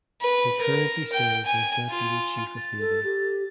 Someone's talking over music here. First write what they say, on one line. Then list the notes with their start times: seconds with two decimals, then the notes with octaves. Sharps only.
He currently serves as Deputy Chief of Navy.
0.21 B4
0.62 A#4
1.13 G5
1.46 G#5
1.89 F4
2.57 A6
2.80 A4
3.04 G4